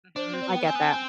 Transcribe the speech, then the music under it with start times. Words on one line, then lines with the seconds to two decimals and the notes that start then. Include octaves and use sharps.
Mhm, I get that.
0.16 D4 C5
0.33 C4
0.41 D5
0.50 B3 G5
0.67 C4 G#5
0.75 B3
0.82 C4